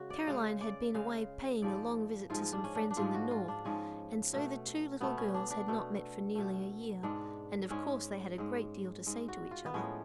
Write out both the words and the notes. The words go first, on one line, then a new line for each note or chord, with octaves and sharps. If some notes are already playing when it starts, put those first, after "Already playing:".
Caroline had been away paying a long visit to some friends in the North, and so the two little girls had not met for nearly a year, and of course they had a great deal to say to each other.
Already playing: C#3 G#3 F#4
D5
C#3 G#3 F5
D5
C#3 G#3 F5
G#2 F3 G#3 D5
G#2 F3 G#3 F4
D4
C#4
D4
D4
G#2 F3 G#3 F4
F#4
F4
D4
G#2 F3 G#3 C#4
B2 A3
B2 A3 B3
C#4
D4
D4
B2 A3
B2 A3
G#2 G#3 D4
G#2 G#3 C#4
G#2 G#3
G#2 G#3
F#4
F4
B3
A2 F3 G#3 C#4